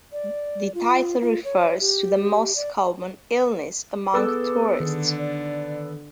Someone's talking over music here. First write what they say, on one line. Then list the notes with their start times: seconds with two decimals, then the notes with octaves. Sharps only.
The title refers to the most common illness among tourists.
0.12 D5
0.74 F4
1.21 F4
1.44 C#5
1.80 G4
2.56 D5
4.14 B3 G#4 A4 B4 D6 E6
4.80 D3 D#3
5.17 D5